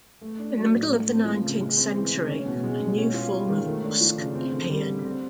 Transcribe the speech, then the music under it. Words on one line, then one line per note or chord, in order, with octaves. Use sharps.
In the middle of the nineteenth century, a new form of busk appeared.
A3
D4
F#3
A2
A3
C4
F3
C#3
G#3
C4
E3
C#3
C#4
B2
G#3
B2
C#4
F4
G#3
D#3
A3
D4
F3
C#3
C4
D3
G3
D3
C4